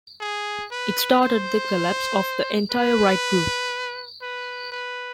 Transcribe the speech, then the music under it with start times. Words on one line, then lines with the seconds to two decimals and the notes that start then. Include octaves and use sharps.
It started the collapse of the entire Wright group.
0.20 G#4
0.71 B4
1.21 C5
2.71 B4
4.22 B4
4.72 B4